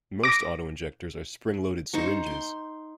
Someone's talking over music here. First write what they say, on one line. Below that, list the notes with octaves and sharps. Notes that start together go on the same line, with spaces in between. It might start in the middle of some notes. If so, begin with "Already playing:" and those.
Most autoinjectors are spring-loaded syringes.
D6 A#6
D#4 C5 C#6
C6